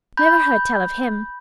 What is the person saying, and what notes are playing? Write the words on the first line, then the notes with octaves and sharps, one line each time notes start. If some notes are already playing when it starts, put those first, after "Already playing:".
"Never heard tell of him!"
B5 G6